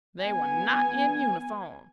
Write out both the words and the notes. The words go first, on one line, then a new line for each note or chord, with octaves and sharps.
They were not in uniform.
B3 G#5